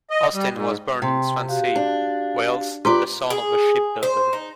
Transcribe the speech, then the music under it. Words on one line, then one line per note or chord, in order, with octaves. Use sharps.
Austin was born in Swansea, Wales, the son of a shipbuilder.
D#5
G3
G#2
C3 G5 C6
F#4 G4 F5
D4
F4 G4 B4 D5 A#5 C6
G#4
C5
D#4